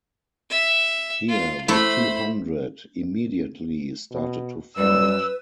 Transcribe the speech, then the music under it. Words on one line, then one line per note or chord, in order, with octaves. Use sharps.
Here the two hundred immediately started to fight.
E5
F4
A3 E4 C5 B5
B2
F#2 G3 B4 E6